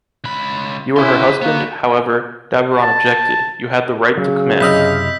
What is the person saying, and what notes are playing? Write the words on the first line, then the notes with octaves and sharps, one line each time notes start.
You were her husband, however, Daburon objected, you had the right to command.
C#2 B5
C#4 E4 B4 C6
A#3 B3 F#4
A5
C#3 F#3
F#2 C3 E4 D#5 E6 F6 G6 B6